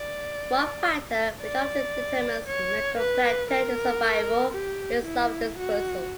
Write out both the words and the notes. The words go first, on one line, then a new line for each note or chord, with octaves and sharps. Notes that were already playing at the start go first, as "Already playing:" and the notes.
One factor which often determines meroplankton survival is larval dispersal.
Already playing: D5
D5
C#5
B4
A#4
G4
E4
F#4